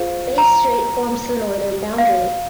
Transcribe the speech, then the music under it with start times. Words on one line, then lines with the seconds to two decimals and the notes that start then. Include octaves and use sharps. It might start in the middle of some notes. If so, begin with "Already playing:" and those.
Bass Strait forms the northern boundary.
Already playing: F4 G#4 C5 F5
0.38 A#5
1.98 F5